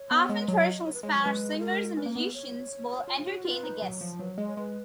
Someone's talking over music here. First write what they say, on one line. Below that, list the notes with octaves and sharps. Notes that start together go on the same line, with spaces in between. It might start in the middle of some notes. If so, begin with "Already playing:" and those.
Often traditional Spanish singers and musicians will entertain the guests.
Already playing: C#5
B3
G#3
F#3 D#5
C#5
B4
G#3 C#5
F#3 C#5
G#3 B4
A#4
C#4 B4
A#3
B3 B4
C#5
F4
F#4
F4 B4
D#4
F#3
F3
F#3 B4
G#3 D#5
C#5
G#3 B4